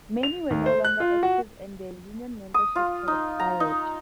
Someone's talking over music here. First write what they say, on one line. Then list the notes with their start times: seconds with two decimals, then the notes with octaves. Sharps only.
Many were no longer active and their union memberships had expired.
0.23 F7
0.50 D#2
0.66 C5
0.85 F#6
1.00 F4
1.23 F#4
2.54 D#6
2.75 F4
3.08 D#4
3.40 A#5
3.60 D#4